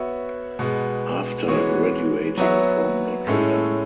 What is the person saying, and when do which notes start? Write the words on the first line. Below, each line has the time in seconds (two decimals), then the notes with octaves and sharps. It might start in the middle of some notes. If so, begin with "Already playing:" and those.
After graduating from Notre Dame.
Already playing: B3 F#4 C#5 E5
0.59 B2 G#3 B3
1.48 E3 G#3 B3 F#4 C#5
2.38 F#3 B3 F#4 C#5 E5
3.27 A2 G#3 C#4 E4 A4